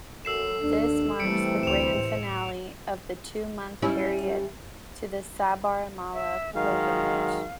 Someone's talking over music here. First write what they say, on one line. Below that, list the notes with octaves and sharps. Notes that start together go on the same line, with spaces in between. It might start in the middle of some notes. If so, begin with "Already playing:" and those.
This marks the grand finale of the two-month period to the Sabarimala pilgrimage.
F#2 A4 E6 C7 E7
D#2 D4
C3 E3 G3 A3 C#7 D7
D2 C5 E7 F7
A2
G3 C#4 E4
E5
D#3 F#3 G#3 F5